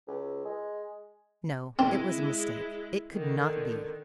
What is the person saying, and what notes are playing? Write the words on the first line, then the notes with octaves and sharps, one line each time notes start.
No, it was a mistake; it could not be.
C#2
G#3
G#3 C4 E4
D3 D#3